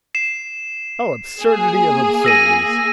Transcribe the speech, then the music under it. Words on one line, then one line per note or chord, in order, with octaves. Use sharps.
Oh, absurdity of absurdities!
C7 E7
A#3 G#4 G#5
E6 A#6 D#7